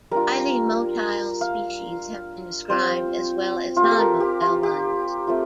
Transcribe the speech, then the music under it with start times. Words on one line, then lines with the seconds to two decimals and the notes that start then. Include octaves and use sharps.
Highly motile species have been described, as well as nonmotile ones.
0.11 G3 D4 F4 A#4
1.41 F5
2.70 G3 C4 F4 C5
3.77 F4
3.84 G4
3.91 A4
3.98 A#4
4.20 G4
4.42 F4
4.63 G4
5.27 A3 C4 F4